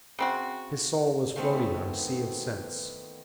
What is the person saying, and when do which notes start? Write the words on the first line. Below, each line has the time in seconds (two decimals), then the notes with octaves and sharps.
His soul was floating on a sea of sense.
0.19 C#3 C4 F#4
1.36 D#3 E3 A3 B3 C4